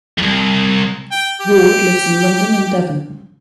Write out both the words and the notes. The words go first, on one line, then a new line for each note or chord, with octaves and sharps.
Ward lives in London and Devon.
C2 F2
G5
G4